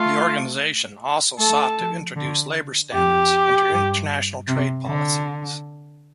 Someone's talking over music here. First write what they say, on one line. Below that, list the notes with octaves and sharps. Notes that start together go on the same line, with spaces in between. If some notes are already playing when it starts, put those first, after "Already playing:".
The organization also sought to introduce labour standards into international trade policies.
Already playing: A3 F4
A3 A4
F3
D3
F2 G4
G2
C3
D3